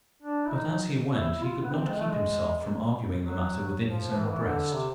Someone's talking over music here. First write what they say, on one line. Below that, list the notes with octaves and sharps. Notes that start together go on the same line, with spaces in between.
But as he went he could not keep himself from arguing the matter within his own breast.
D4
E4
D#4
E4
F4
B3
C4
G#3
A3
G#3
F#3
F3
E3
D#3
E3
D3
C3